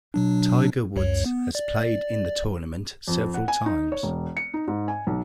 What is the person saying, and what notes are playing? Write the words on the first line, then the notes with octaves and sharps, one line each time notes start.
Tiger Woods has played in the tournament several times.
B2 F#3 D4
C#2 F#2 C#5
B3
D5
F2
F#5
G#5
D#4
C#5
E1
C#7
D#4
G#2
G#5
B1